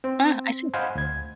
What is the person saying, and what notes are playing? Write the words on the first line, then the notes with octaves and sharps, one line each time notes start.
Ah, I see.
C4 C5
C5 D#5 F5 F#5 G#5 B5
D2 G#6